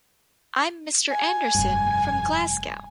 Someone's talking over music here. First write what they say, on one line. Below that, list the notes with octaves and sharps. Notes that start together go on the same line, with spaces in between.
I'm Mr. Anderson from Glasgow.
G#5
F1 G2